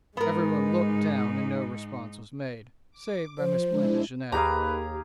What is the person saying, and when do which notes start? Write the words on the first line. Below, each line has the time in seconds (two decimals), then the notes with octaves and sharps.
Everyone looked down and no response was made, save by Miss Plantagenet.
0.17 G#2 G#3 B3 D#4 A#4
2.91 D6
3.38 F3 C5
3.69 G#3 D4 E4
4.32 D#2 G4 G#4 B4 F5 A#5